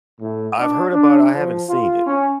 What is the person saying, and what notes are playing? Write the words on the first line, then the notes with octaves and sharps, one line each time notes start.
I've heard about I haven't seen it.
A2
D4
D4
F3
F4
C#4